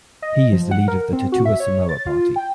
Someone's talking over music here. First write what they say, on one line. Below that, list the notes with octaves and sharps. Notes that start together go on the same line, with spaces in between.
He is the leader of the Tautua Samoa Party.
D#5
F3
F#5
A#4
C4
F#4
E5
C#5
A6
F4
G5